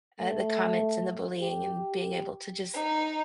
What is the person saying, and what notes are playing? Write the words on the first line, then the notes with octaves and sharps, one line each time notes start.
uh, the comments and the bullying and being able to just
A3
G4
D#4